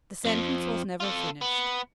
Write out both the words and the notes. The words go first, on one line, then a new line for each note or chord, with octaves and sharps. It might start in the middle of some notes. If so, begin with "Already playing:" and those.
The sentence was never finished.
F2 F3
F4 A4
B3